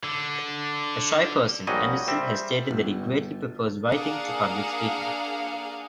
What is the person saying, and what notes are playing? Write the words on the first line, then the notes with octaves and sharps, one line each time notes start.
A shy person, Anderson has stated that he greatly prefers writing to public speaking.
D3
A#1 F#3 G3 F#4 G#4 D#5
G3 C4 E5
G1
A#3 D4 G#4 F5 F#5